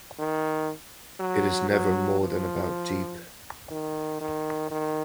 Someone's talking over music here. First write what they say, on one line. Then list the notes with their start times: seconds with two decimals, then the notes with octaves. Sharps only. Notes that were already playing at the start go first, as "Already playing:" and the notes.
It is never more than about deep.
0.19 D#3
1.19 F#3
1.70 F#3
2.20 F3
3.71 D#3
4.21 D#3
4.71 D#3